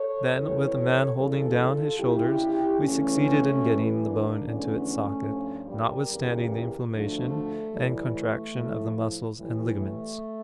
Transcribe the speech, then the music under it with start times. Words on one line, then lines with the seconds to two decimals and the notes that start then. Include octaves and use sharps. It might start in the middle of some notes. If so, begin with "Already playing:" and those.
Then, with a man holding down his shoulders, we succeeded in getting the bone into its socket, notwithstanding the inflammation and contraction of the muscles and ligaments.
Already playing: A4 C#5
0.34 F2 E3 G3 A4 C#5
1.16 E2 C#3 E3 G3 F4 A4
1.99 D2 C#3 G3 E4 G4
2.81 E2 C#3 E3 G3 A3 C#4
3.63 A2 E3 G3
4.04 A#3 D4
4.45 E2 D3 F3 A3 C#4
5.28 G2 F3
5.69 G3 A#3
6.10 E2 C#3 G3
6.91 D2 D3 F3 A3
7.74 A2 E3 G3
8.15 A3
8.56 A2 F3
9.38 A2 E3 G3
9.79 A3